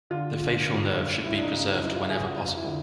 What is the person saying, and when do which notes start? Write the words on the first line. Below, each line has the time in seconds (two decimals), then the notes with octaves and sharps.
The facial nerve should be preserved whenever possible.
0.10 D3 F4
0.39 D3
0.67 G2
0.95 G2
1.24 C#2 E4
1.38 D4
1.43 D#4
1.52 C#3
1.62 D#4
1.80 F#3 E4
1.95 F4
2.09 C#3 G#4
2.23 F#4
2.37 F2 F4
2.57 E4
2.66 D3